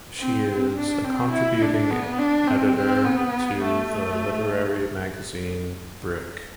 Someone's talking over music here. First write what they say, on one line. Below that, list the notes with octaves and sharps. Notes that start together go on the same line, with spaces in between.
She is a contributing editor to the literary magazine "Brick".
C4
D4
C4
E4
D4
B3
D4
C4
C4
B3
A3